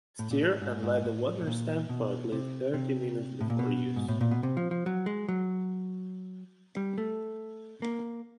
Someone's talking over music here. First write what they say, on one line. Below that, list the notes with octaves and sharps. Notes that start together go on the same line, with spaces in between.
Stir and let the water stand for at least thirty minutes before use.
A2
A#2
A2
G#2
G#2
A2
A2
A#2
B2
C3
C3
A2
A#2
B2
G#2
A2
A#2
B2
C3
F3
F3
F#3
G#3
F#3
G3
A3
A#3